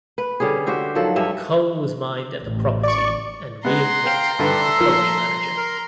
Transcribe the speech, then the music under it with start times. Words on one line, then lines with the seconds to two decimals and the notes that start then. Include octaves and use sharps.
Coal was mined at the property and William Pitt was the colliery manager.
0.18 B4
0.40 D3 G3 C#4 G#4
0.66 F#4 G4 C5 E5
0.95 D#3 F3 F#3 A4
1.16 G2 C#4 E5
2.45 A1
2.83 D5 C#6
3.65 G#3 B3 F#5 A#5 C6
4.06 F5 G5
4.39 G2 D3 A4 B4 E5
4.79 F3 A#3
5.57 A#4